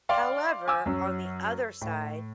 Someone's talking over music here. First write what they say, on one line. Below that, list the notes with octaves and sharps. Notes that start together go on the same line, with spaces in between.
However, on the other side,
D5 F5 G5 C6
G#5 D6 E6
F#2 F#3 C#4
A2